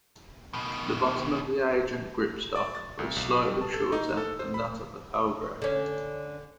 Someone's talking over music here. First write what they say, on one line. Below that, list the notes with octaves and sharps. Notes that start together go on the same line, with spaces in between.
The bottom of the Agent gripstock was slightly shorter than that of the Cobra.
B2 D#3
D5
A6
C2
B1
G3
A5
A4
D#4
A4
C5
B5
D3 C#4